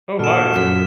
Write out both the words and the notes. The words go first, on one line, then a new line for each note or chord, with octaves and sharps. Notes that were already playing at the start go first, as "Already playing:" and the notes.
Oh, nice.
A#2 F#4 G#4 A4 F6 E7
F#2 B6